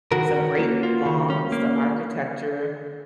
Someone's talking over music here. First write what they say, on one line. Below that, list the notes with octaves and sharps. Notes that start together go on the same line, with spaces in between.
some great m malls, the architecture,
D#3 F#4 A#4
C#4
A#3
F4
D#3
C#4
A#3